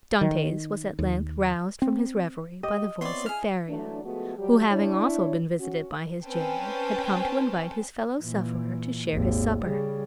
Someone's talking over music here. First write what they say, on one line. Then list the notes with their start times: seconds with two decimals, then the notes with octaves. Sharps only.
Dantes was at length roused from his revery by the voice of Faria, who, having also been visited by his jailer, had come to invite his fellow-sufferer to share his supper.
0.21 D#3
0.99 D#2
1.82 C4
2.63 G4 D#5
3.01 B3 C4 F4 C#5 D5 E5 C6
3.26 E4 G#4 F6
3.68 E3 F#3 A3 D4
4.04 F3 G#3 A3 B3 F#4 A4
4.38 F#3 G3 G4
4.70 D4 E4 C#5
5.60 C#4 F#4
6.25 C4 C#4 B4 C5 G5 A5
8.19 A#2 E3
9.12 G#1 D#2
9.64 C#3 G3